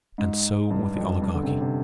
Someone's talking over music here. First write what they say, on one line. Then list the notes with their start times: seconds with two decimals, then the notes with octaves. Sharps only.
And so with the Oligarchy.
0.18 G#2
0.70 G2
0.96 F2
1.22 G2
1.34 D3
1.43 C3
1.47 D3
1.61 C3